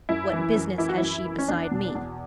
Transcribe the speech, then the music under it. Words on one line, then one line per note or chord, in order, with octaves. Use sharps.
"What business has she beside me!"
F#2 E4
E3
F#2
E3 E4
F#4
F#2 E4
E3
C#4
E2 D4
B2
E2